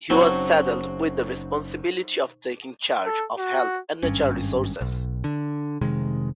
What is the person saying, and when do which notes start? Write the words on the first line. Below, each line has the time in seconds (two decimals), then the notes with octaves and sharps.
He was saddled with the responsibility of taking charge of Health and Natural Resources.
0.10 F#1 C#3 F#3 C4 C#4 D#4 C5 C#6
3.05 A4
3.38 F#4
4.03 G#1 G2 C#4
4.81 B1
5.24 D3
5.81 F1 C3 D#3 G#3